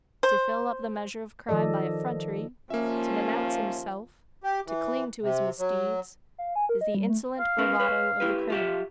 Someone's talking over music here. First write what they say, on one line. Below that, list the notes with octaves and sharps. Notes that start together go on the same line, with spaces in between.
To fill up the measure of crime by effrontery, to denounce himself, to cling to his misdeeds, is the insolent bravado of the criminal.
C5
D#3 F3 A4 D5 D#5
D#2 F3 A#3 C#4 F4 E5
G4
E3
C3
F#3
F5
G#5
A#4
D#5
G3
A3
F5
C#4 A#4 B4
B4 C#5
E4 G4 B4
F4 G4 E5